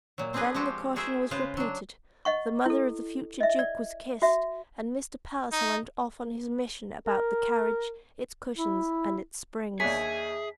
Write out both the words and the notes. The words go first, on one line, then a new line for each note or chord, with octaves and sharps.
Then the caution was repeated, the mother of the future duke was kissed, and Mr. Palliser went off on his mission about the carriage, its cushions, and its springs.
A#2 F#3
B3 C4 D4 G#4 B4 D#5
F3 G#3 C4 F#4 G4
F#4 G#4 A#4 C5 E5
C#3 G#3 F4 B4 C5 F5
F#3 D4
D#5 F#5 C#6
E4 A4
D#5 E5
D5
F#4 E5
D#4
A#4
E4
D#2 D4 G#4 C#5 E5 B6